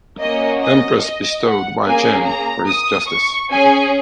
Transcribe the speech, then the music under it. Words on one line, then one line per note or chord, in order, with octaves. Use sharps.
Empress bestowed Wei Zheng for his justice.
A#3 C#4 F#4 D#5
D#5
D#5
F#5
A#3 C#4 G#4 G#5
A#5
D#6
C#6
C#4 G#4 G#5